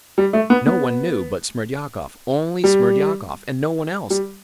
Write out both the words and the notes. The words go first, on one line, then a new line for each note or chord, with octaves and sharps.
No one knew but Smerdyakov, only Smerdyakov, and no one else....
G3
A3
B3
B3
G3
G3